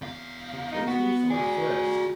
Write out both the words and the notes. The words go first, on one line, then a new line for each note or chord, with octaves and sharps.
He pleased me from the first.
E2 F5
D#4
B3 F#4
F#4 G#4 D5